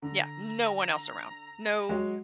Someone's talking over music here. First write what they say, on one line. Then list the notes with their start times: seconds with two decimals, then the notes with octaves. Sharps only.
Yeah, no one else around. No
0.02 D3 A#5
1.89 F#3 G#3 F#4